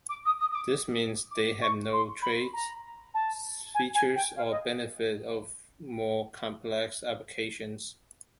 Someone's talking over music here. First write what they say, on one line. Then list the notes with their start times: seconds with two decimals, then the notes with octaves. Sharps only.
This means they have no traits, features, or benefits of more complex applications.
0.09 D6
0.26 D#6
0.40 D#6
0.51 D#6
0.55 D6
1.31 D6
1.62 C#6
1.92 C6
2.22 B5
2.53 A#5
3.14 A5
3.75 G#5
3.95 G#5
4.16 G5
4.37 F5
4.51 D#5